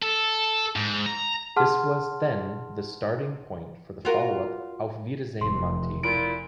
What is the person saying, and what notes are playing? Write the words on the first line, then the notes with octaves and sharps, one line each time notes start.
This was then the starting point for the follow-up "Auf Wiedersehen Monty".
A4
G#2
A#5
G#4 F#5 A5 C6 F6
F4 F#4 A#4
F1 C6
A#2 E4 F4 D7